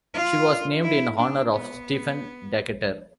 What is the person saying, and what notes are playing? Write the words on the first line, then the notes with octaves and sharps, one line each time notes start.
She was named in honor of Stephen Decatur.
F4
E4
D4
B3